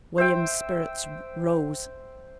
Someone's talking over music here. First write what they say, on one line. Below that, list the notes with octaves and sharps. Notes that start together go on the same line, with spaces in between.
William's spirits rose.
C5 E5 G5